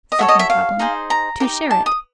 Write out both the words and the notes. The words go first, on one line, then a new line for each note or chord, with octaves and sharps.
Second problem: To share it.
D#5
F#4 A4 C#5 E5
D#5
E5
F5
D#4 G#4 C5
A#5
D#4 G4 A#4
A5
D#6